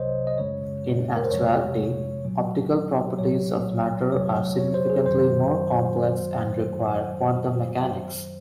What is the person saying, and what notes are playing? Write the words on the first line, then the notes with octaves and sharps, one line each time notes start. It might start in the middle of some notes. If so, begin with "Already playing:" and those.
In actuality, optical properties of matter are significantly more complex and require quantum mechanics.
Already playing: C2 C3 F#3 C5 C#5 D#5
D#5
G#1 F#2 C#3 G#3 C#5
A#4
C5
F2 C3 F3 G#3 C#5
A#1 A#2 F#3
C2 A#2 F#3 C#5
F2 C3 F#3 C#5
C#5
C5
G#4
F#2 D#3 F#3 C5